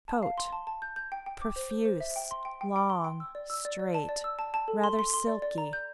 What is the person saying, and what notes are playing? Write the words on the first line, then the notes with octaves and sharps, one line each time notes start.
COAT--Profuse, long, straight, rather silky.
A5
F5
C6
A5
A5
G6
G6
G5
G5
D6
C5
C5
C5
E5
G5
C6
G5
G5
G5
C6
G5
E6
D5
E6
D5
D5
A5
D5
E6
A5
A5
A4
C6
C6
C6
D5
D5
A#5
G6